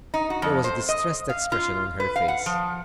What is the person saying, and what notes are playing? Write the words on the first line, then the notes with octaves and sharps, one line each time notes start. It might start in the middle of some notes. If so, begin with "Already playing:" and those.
There was a distressed expression on her face.
D#4
F#4
F2
C5
D#5
F5
F4
B4
F5
F#5
F3